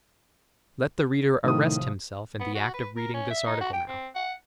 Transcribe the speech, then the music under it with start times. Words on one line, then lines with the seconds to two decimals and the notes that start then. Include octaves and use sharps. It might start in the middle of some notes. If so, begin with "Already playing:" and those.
Let the reader arrest himself in the act of reading this article now.
1.44 A2 C3 D#3 F3 D#6
2.40 B3
2.55 F#4
2.74 B4
2.97 A#4
3.14 C#4
3.30 E5
3.46 D#4
3.61 F#4
3.73 G5
3.88 C4
4.16 F#5